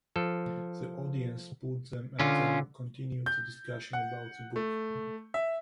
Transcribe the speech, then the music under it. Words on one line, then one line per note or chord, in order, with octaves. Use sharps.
The audience booed them and then continued the discussion about the book.
F3 A4
D3 C#4 F4
G6
F#5
A3
E5